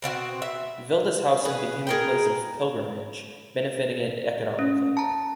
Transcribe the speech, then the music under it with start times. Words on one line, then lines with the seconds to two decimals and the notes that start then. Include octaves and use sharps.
Wildeshausen became a place of pilgrimage, benefiting it economically.
0.02 B2 C4 F4 F#4
0.42 E5
1.45 G#4 B4
1.87 G#4 A#4 G5
4.59 C#4
4.97 A5 A#5